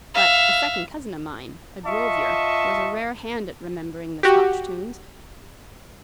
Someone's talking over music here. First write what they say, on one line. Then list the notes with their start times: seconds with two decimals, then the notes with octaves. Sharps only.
But a second cousin o' mine, a drovier, was a rare hand at remembering the Scotch tunes.
0.14 E5 F5
1.86 F4 D#5 E5 A5 C#6
4.23 F#4 G4